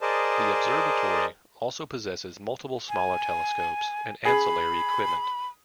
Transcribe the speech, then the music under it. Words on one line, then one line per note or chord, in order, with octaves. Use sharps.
The observatory also possesses multiple smaller telescopes and ancillary equipment.
G#4 A#4 C5 D5 D#5 A5
G#5
G#4 B5